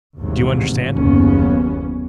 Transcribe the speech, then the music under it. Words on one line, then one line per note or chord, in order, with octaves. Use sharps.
Do you understand?
A1 D#2 G#2 C3 F#3
F#1 D#2 B3 C#4